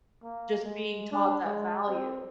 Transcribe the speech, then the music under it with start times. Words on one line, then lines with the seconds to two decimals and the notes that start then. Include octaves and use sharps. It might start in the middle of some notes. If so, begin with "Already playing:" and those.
just being taught that value.
0.23 A#3
0.64 G#3
1.11 D4
1.45 G#3
1.88 C4